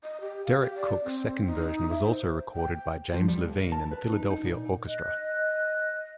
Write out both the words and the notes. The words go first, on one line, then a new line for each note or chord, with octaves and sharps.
Deryck Cooke's second version was also recorded by James Levine and the Philadelphia Orchestra.
D#5
G4
F5
G4
D5
C4
D#4
E5
C5
G5
F3
G3
B1
A#4
A5
B4
D#4
D#4
A#2
D#5 F#6